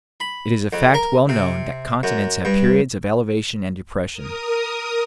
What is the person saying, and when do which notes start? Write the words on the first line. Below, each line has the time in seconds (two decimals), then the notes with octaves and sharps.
It is a fact well known that continents have periods of elevation and depression.
0.20 B5
0.73 F2
0.94 A#4
1.29 C3
2.03 F#2
2.45 G2
4.13 A#4 D#6